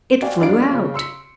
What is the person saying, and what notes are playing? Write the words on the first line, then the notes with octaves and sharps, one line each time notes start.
It flew out.
F#4 D5 F5 G5 G#5
F2 F#3 D4 D5 F5 D7
C#3 F4
C6 E6 C#7